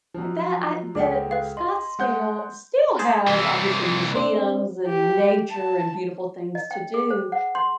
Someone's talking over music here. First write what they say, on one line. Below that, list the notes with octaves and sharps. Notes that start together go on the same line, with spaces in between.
that I the Scottsdale still has obviously museums and nature and beautiful things to do.
F3 F#3
C#2 G#4 A4 F#5 G5 D6
B4 F5
D#5 C6
G#3 F#5 G6
G#4 C5 A5
C2 E3 C6 E6
C4 D4
G4
A5
D#5
G5
G#4
C5
F#5
C6